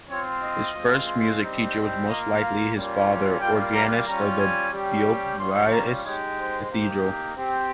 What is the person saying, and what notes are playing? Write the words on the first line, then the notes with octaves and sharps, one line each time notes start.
His first music teacher was most likely his father, organist of the Beauvais Cathedral.
C4 F4 C#5
D#5
G#3 C4 F4
G3 C4 D#4 G4
A#3 F4 D#5
F5
G3 A#3 C#4 F4
G3 A#3 F4 G5
A#5
G3 C#4 F4 A#5
G#5
G3 C#4 G4
G3 C#4 F4 C6
A#5
G#3 D#4 G4 C#5
C5
A#3 D#4 G4
C4 G4